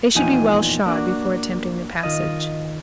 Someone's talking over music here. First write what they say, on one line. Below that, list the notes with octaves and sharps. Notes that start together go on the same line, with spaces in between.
They should be well shod before attempting the passage.
E2 A#2 F3 D#4 G5 G#5
A#3 D4 F#4
D#3 F4 D#5